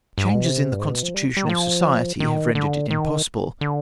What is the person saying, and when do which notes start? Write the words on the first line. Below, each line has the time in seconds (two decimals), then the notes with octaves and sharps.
Changes in the constitution of society have rendered it impossible.
0.18 G2
0.27 G#2
0.35 B2
0.44 C3
0.72 G2
0.79 G#2
0.91 B2
1.03 F3
1.14 G3
1.37 G3
1.45 D#3
1.49 F3
2.20 D#3
2.55 D3
2.91 D#3
3.61 D3